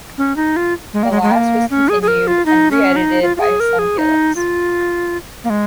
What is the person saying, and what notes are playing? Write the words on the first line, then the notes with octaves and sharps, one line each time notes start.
The last was continued and re-edited by his son Felix.
C#4
D#4
F4
G#3
A#3
G#3
G#3
A#3
C#4
G#4
G#4
A#4
F4
D#4
C#4
D#4
F4
F4
G#4
A#4
G#4
D#4
F4
A#3
G#3